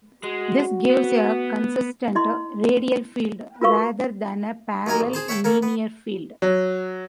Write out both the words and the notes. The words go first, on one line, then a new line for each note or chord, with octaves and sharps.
This gives a consistent radial field, rather than a parallel linear field.
G#3 F#4
B3
E4 D#5 C6
F4 F#4 A#4 B4 F5 C#6
D#2 F#3 A#3 G#5 A#5
A1
G#4 C5 A5
C#5 E5 F#5 G5 A5
A#3 C#4 A4
B3
F#3